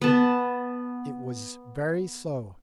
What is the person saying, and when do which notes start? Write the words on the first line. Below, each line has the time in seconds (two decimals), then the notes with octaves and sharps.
It was very so.
0.02 B3 A5